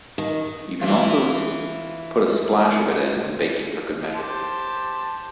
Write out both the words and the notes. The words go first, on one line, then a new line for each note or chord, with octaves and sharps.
You can also put a splash of it in when baking for good measure.
D#3
E3 F4
G4 C5 A5